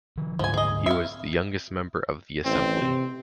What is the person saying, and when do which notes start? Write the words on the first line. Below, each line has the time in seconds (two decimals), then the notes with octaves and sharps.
He was the youngest member of the assembly.
0.17 D#3 F3
0.39 D2 G#2 F3 G#5
0.54 G#4 D#5
0.86 C4 E5 F5
2.45 A1 C4
2.82 C3